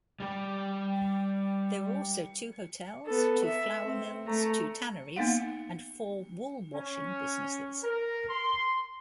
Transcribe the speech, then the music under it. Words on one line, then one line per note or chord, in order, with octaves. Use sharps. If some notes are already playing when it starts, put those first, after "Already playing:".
There were also two hotels, two flour mills, two tanneries and four wool-washing businesses.
G3 G4
B3 A4
E5
C4
A3 A#5
A#3 B3 D#4 F5 F#5
C#4
A#4
C6